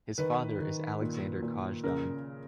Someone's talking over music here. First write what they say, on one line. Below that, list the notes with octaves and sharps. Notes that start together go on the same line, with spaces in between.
His father is Alexander Kazhdan.
D#3 B4
D#3
A#2
A#2
C#3 A#4